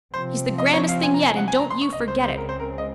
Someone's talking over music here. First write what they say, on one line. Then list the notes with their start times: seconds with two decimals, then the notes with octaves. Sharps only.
He's the grandest thing yet and don't you forget it.
0.13 C3 F3 C4 C5
0.58 D#5
0.73 C#5
0.89 F5
1.03 G#5
1.14 A#5
1.25 G#5
1.36 F#5
1.48 G#5
1.59 A#5
1.70 C6
1.81 C#6
1.92 C#2 C#3 G#3 C4 D#5
2.08 C5
2.23 C5
2.37 A#4
2.49 C5
2.60 A#4
2.78 D#5